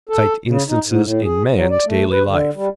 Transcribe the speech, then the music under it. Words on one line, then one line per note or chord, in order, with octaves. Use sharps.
Cite instances in man's daily life.
A4
C#3
D#4
G#2
A2
G#4
F#3
D5
A3
B4
D3
G3